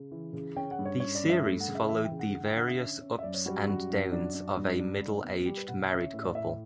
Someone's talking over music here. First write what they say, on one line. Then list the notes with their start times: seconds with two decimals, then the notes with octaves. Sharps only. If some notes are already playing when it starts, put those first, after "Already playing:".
The series followed the various ups and downs of a middle-aged married couple.
Already playing: C#3
0.11 E3
0.33 C#3
0.56 C#4 G5
0.71 F#5
0.79 G2
0.85 C#5
1.00 C#4 C#5
1.15 D5
1.23 G2
1.30 E5
1.45 A3
1.60 F#5
1.68 C#3
1.75 E5
1.89 E3 E5
2.05 G5
2.11 C#3
2.19 F#5
2.34 D3 F#5
2.45 G5
2.56 D3 F#5
2.68 E5
2.79 C#4
3.01 C#4
3.19 E5
3.23 F#2 D5
3.34 C#5
3.46 G3 F#4
3.57 F#4
3.68 F#2 F#4
3.90 F#2
4.12 D4
4.35 D4
4.57 G2
4.79 D4
5.02 D4
5.24 B3
5.46 G3 G4
5.57 B4
5.68 B2 F#5
5.79 F#5
5.91 C#4 E5
6.14 A2
6.23 D5
6.35 A2 E5